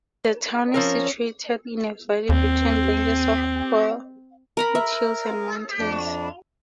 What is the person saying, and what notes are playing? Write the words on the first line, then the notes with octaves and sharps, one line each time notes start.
The town is situated in a valley between ranges of foothills and mountains.
F3 C4 C#4 A#4
D#2 C4
A#4 A#5 B5
A#4 E5
F2 D4